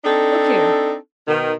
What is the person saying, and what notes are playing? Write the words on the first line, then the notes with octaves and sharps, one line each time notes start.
Look here!
C4 D4 D#4 A4
B2 D#3